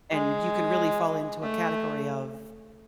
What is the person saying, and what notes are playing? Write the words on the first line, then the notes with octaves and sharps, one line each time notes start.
And you can really fall into a category of,
G#3
A3